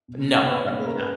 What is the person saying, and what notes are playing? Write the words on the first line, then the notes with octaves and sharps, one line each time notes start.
No. Probably
B2
A#3 C#4
C#5
B2 B4
A#3 C#4
C#3 A#4
B4